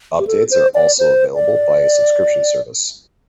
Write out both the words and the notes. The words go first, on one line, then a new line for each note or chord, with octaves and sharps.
Updates are also available by a subscription service.
G4
A4
C5
D5
C5
D5